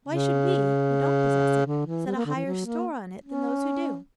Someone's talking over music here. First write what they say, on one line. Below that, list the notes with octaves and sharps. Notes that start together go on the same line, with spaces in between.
Why should we, who don't possess it, set a higher store on it than those who do?
C#3
D3
E3
G3
A#3
D3
E3
F#3
A#3
C#4